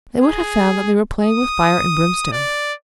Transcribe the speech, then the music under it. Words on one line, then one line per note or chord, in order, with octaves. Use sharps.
They would have found that they were playing with fire and brimstone.
G#4
D#6
D5